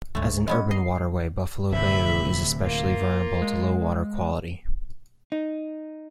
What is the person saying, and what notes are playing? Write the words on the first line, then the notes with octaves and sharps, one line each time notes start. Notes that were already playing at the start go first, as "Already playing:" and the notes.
As an urban waterway, Buffalo Bayou is especially vulnerable to low water quality.
C#2 G2 G#3 A3
G#3 B3 C#4 D#5
D#5 C7
D1 C3 E5 B5
A#3 F4
G#3
D#4